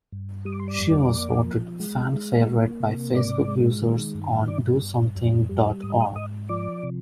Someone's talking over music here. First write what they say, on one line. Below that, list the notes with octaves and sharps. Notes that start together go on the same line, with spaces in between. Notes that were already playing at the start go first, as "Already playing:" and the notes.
She was voted "Fan Favorite" by Facebook users on DoSomething dot org.
G2
G3 D#6
D6
C6
D5 D6
F2
A#3
F3
G#3
G#3
A#3
C3
G#2 D5 D6
G#3
D#3
G2
G2 D5 D6
G2
F2
G3
G#2 D#6
D#5 D#6
G#2 D#5 D#6
F3 D5 D6
C3